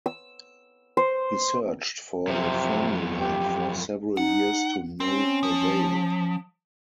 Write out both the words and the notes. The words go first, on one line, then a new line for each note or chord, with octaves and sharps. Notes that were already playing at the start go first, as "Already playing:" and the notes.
He searched for a formula for several years to no avail.
E6
C5
F#2 C3 F3
G4
D#4 F#5
C4 C#4
F3